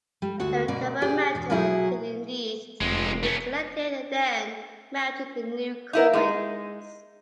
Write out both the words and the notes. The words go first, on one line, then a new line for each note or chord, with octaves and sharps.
The recovered metal could indeed be collected and then melted in new coins.
G3
D2 F#4 F#5
B2 A#3 D5
G4 G#4 D5
E2 B2
B2 F#3 E4 G#4
F1 G#3 C4
A3 C#4
D#4 E4 A#4
G#3 D#4